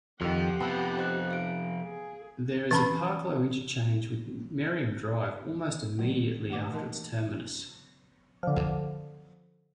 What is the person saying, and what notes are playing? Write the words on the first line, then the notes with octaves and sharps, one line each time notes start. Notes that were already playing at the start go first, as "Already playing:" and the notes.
There is a Parclo Interchange with Merriam Drive almost immediately after its terminus.
F2 D#3 F3 G4 F#5
C3 F3 B3 A5 E6
C5 D#5 F#6
F5 D7
G#4
E3 C#4 B5
D#3 F#3 A3
A3 A#3 F#5 D6
E3 A#3 D#4 A#4 D#5 A5
D3 F3